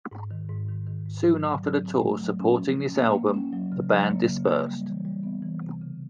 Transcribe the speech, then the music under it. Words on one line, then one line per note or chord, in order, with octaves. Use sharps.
Soon after the tour supporting this album, the band dispersed.
G#2
D#3
G#2
D#3
D#3
G#2
F#3
D3
F#3
C4
A3
F#3
C#4
F3
C#4
A#3
A#3
C#4
F#3
C#3
F#3
A#3
C#3
A#3
G3
E3
G3
B3
E3
C3
C#3